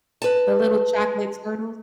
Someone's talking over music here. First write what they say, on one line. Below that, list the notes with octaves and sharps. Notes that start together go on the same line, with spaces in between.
The little chocolate turtles?
B4 A5